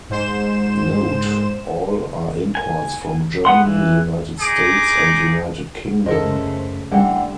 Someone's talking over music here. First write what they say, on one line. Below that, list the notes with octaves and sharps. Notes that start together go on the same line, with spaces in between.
Note: All are imports from Germany, United States and United Kingdom.
G#2 C5 E7
G#5
B3 F#5 C6
E3
D#4 G#4 D6
F#2 C#3 A3 A4 A#4 C5 D#5
D#2 D3 E3 G3 A3 G4 F#5